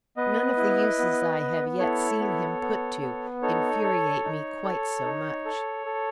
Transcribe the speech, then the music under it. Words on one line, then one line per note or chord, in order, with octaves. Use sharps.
None of the uses I have yet seen him put to infuriate me quite so much.
B3 B4 D#5
E4
B3
B3
E4 A4 C#5
B3
B3
B3
D#4 A4 C#5
A4
D#4
A4
D#4
A4
A4